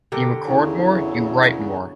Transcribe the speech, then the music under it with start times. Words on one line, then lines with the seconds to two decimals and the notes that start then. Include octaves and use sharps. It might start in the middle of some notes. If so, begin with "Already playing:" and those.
You record more, you write more.
0.12 D3 G4 A#4
0.47 E2 C#3 F#3 E4